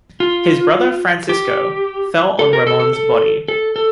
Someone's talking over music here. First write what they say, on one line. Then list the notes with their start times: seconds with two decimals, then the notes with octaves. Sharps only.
His brother Francisco fell on Ramon's body.
0.20 F4
1.29 G4
2.39 A4
2.53 A#4
2.67 A4
2.80 A4
2.93 A4
3.48 A4
3.76 A4